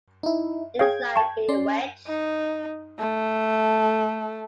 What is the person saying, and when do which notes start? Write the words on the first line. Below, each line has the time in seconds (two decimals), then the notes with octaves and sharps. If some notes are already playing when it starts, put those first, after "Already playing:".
It is like bewitched.
0.23 D#4 E4
0.79 G#4 C#5 F5 G5 G#6
1.16 A5 C#6
1.49 C#4 D5 C6
2.08 D#4
2.99 A3